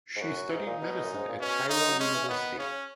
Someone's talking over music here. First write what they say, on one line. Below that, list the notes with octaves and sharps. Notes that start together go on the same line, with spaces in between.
She studied medicine at Cairo University.
G#2
F#2 F#4
F#2
G#2 D#4
A#2
B2
F#2
G#2
A#2
B2 C#4
C#3 D#4
D#3
F#3
G#3 C#4
E3
C#3
D#3 B3
B2
C#3 C#4